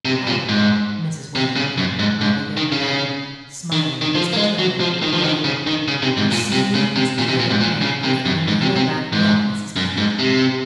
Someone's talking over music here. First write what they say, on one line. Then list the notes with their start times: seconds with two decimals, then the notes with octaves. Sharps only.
"Oh--" Mrs. Welland murmured, while the young man, smiling at his betrothed, replied: "As soon as ever it can, if only you'll back me up, Mrs. Mingott."
0.05 C3
0.27 A#2
0.49 G#2
1.36 C3
1.56 C#3
1.78 F#2
1.99 G#2
2.21 G#2
2.57 D#3
2.72 C#3
3.72 D#3
4.02 D#3
4.15 F3
4.33 A#3
4.37 G#3
4.59 F#3
4.80 F3
5.02 D#3
5.13 F3
5.24 D#3
5.44 C#3
5.67 D#3
5.88 C#3
6.02 C3
6.17 G#2
6.31 A#2
6.52 C3
6.75 C#3
6.96 C3
7.18 A#2
7.28 C3
7.39 A#2
7.50 G#2
7.61 A#2
7.82 C#3
8.04 C3
8.25 F#2
8.48 G#2
8.61 C3
8.76 C3
9.13 G#2
9.76 F#2
9.98 G#2
10.19 C3